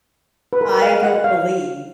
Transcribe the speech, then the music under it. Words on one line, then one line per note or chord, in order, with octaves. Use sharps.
I don't believe
B4
A#4
F5
F#5
F5